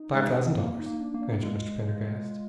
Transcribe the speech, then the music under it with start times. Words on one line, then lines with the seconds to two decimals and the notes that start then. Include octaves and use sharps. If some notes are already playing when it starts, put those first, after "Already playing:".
"Five thousand dollars," answered Mr. Pendergast.
Already playing: D#4
0.14 G#3
0.36 C4
0.58 A#3 F4
0.79 D#4
0.86 A#3
1.00 D4
1.14 A#3
1.22 D4
1.43 G#3 F4